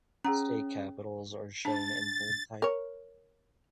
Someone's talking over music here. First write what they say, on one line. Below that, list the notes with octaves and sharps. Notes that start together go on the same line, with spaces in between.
State capitals are shown in bold type.
C#4 G#4 F#5 A#5
D4 A5 A6
A#4 C#5